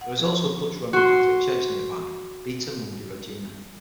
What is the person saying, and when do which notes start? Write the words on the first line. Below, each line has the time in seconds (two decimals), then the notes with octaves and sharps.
There is also a Dutch Roman Catholic church nearby - Beata Mundi Regina.
0.01 F#5
0.19 F3
0.93 F#4 C6